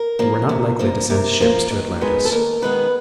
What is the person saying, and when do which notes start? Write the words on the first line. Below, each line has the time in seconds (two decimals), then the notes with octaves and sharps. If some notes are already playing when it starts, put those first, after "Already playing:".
They were not likely to send ships to Atlantis.
Already playing: A#4
0.19 F3 A#3
0.49 C3
0.79 F3 A#3
1.10 C3 A#4
1.40 F3 A#3
1.71 D#2
2.01 D#3 G#3 B3
2.25 A4
2.32 D#2 A#4
2.62 D#3 G#3 B3 B4